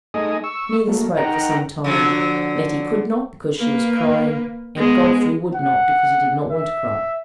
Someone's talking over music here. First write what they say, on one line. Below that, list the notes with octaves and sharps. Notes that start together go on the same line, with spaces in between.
Neither spoke for some time; Letty could not because she was crying, and Godfrey would not because he did not want to cry.
A3 D#4 G#4 D#5 G#5 D#6
C#6 E6
F#3 A3 A#3
D#4 A#4 F#5 G5 A#5
D3 F3 F#3
A#3 B4
G#3 B3
F#5
E5